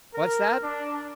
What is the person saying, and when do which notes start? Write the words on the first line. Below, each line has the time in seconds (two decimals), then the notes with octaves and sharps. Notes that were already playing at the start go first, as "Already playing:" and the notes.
"What's that?"
0.14 A#4
0.63 D4